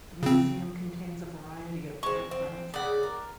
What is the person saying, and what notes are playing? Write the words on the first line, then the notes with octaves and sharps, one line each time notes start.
The museum contains a variety of aircraft.
C#3 C4
G#3 C4 C#6
C4
C#3 D5 F#5
A#4